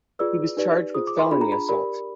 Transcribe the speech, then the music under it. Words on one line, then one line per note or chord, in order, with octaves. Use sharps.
He was charged with felony assault.
F4 G#4 B4 D5 E6
D#4 G4 B4 D5
F4 G#4 C5 D#6
D6
C6
D4 F4 G#4 B5
A#5
B5
G4 A#4 D5 B5